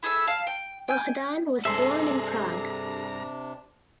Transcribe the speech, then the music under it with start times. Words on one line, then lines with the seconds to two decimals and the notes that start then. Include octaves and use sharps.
Bohdan was born in Prague.
0.03 E4 G#4 A4 E5
0.27 F5 A5 F6
0.47 G5
0.88 G5 G#5 G6
1.65 G2 C3 D4 G#4 A4 C5 E5 A#5